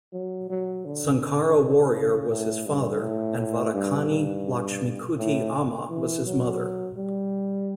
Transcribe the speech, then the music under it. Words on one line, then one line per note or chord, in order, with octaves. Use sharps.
Sankara Warrier was his father and Vadakkani Lakshmikutty Amma was his mother.
F#3
F#3
D3
C#3
A2
G2
A2
A2
G2
G2
A2
E3
F#3
G3